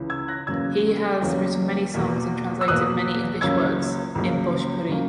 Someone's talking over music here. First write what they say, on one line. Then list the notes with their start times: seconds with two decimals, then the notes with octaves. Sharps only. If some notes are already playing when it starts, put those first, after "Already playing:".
He has written many songs and translated many English works in Bhojpuri.
Already playing: C#2 C#3 E3
0.10 E6 G#6
0.28 F#6 A#6
0.47 E2 C#3 F#3 A#3 E6 G#6
1.21 E2 C#3 F#3 A#3
1.94 E2 B2 A#3
2.61 E6
2.68 E2 B2 A#3 D#6 F#6
3.41 C#2 C#3 F#3 A#3 E6 G#6
4.15 C#2 C#3 F#3 A#3
4.89 C#3 F#3 A#3